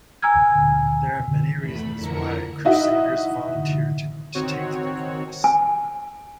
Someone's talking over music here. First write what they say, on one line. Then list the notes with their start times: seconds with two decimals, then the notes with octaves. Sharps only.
There are many reasons why crusaders volunteered to "take the cross".
0.22 G#5 A#5 E6 F6 G#6
1.58 E2 A3 B5
1.95 F2 D3 E4 A#4 A#5 C#7
2.65 D#4 E4 F#4 D#5 E5
4.34 D#3 C4 F#4 C#5
5.44 G#5